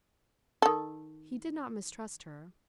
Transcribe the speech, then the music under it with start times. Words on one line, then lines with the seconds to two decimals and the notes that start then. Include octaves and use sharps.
He did not mistrust her.
0.62 D#3 A4